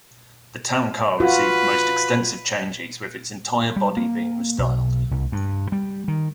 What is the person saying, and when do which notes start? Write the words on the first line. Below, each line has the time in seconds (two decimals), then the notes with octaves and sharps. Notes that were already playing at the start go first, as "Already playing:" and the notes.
The Town Car received the most extensive changes with its entire body being restyled.
1.20 F4 F#4 B4
3.76 G3
3.97 A#3
4.58 B1
5.11 C2
5.32 G2
5.72 G3
6.08 D#3